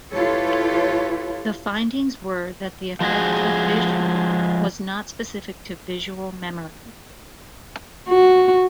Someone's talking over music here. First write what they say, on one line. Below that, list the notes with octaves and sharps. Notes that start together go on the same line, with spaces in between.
The findings were that the effect of vision was not specific to visual memory.
E4 F4 G4 A4 B4 C#5
F3 G#3 F#4 G#4
F#4